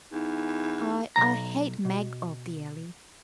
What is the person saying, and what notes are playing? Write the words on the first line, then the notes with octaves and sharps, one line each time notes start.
I--I hate Mag of the Alley.
E2 D#4
B1 A#5
B2